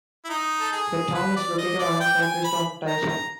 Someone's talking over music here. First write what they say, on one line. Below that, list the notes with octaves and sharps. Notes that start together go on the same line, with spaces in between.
The town is located around southwest of Taishan.
E4
D#4
A4
G#4
B4
D5
D#5
D5
G5
G#5
B5
A#5
A#5